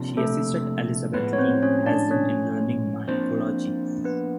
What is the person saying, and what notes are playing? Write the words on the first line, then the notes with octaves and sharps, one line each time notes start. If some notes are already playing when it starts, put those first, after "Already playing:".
She assisted Elizabeth Lee Hazen in learning mycology.
Already playing: C3 F3 A#3 D4
A3 A4
A2 F3 G#3 B3 B4
C#5
C4 C5
C#4 C#5
D4 D5
C#4 C#5
F3 A#3 C4 D4 C5
B3 B4